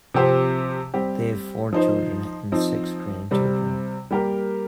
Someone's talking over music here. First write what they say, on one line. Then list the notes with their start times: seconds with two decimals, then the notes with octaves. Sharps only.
They have four children and six grandchildren.
0.14 C3 F3 C4 G4 C5
0.94 G3 C4 G4
1.73 F3 D#4 C5
2.52 F3 C4 D#4
3.31 C3 G3 C4
4.11 G3 A#3 G4 A#4